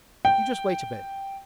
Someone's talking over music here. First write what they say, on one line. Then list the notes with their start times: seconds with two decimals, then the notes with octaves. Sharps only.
You just wait a bit.
0.25 G5